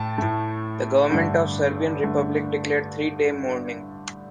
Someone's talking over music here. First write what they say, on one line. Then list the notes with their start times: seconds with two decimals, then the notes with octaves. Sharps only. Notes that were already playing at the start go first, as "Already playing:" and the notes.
The government of Serbian Republic declared three-day mourning.
Already playing: A2 A3 G5 A5
0.18 A2 A3
1.10 G2 D3 A3
2.00 G2 D3 A3